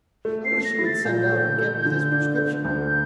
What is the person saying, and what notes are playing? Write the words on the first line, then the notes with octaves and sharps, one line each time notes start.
"I wish you would send out and get me this prescription."
A3
C7
A4
A#6
E4
A6
A#2 G6
A3
A4
D3
D4
A3
D2 G6